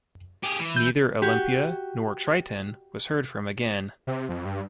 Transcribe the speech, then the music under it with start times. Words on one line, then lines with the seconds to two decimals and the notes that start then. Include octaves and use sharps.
Neither "Olimpia" nor "Triton" was heard from again.
0.43 G4 G#4
0.59 E3
0.76 G6
1.22 F#4 G4
4.07 C3
4.29 F2
4.45 G2